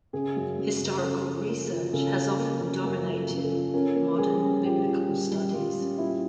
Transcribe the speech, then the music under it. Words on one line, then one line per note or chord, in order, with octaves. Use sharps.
Historical research has often dominated modern biblical studies.
C#3 G#4
F#2
F#2
C#3
C#3 A4
F3
A#3
F3
C#3 A4
F3
A#3
C#3
F#2 A#4
F3
A4
C#3
A4
F3
C#4 A#4
A#3
G3 G#4
C#4
A#2 G4
A#2
G3
G3
G3 F4
C#4
A#2 E4